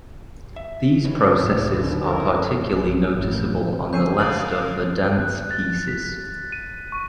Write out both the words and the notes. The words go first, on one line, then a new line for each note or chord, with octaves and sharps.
These processes are particularly noticeable on the last of the "Dance" pieces.
E5
D#4 B4 C#5
C#2 A2
D#2 D3 B4
E4 A4 A#4
A#1
A1
D3 C#5 G#5 E6 G6 C7 D#7
D3 F#3 A#4 F5 F#6 A6 F#7
F#6
A6
B6
D#7
C#6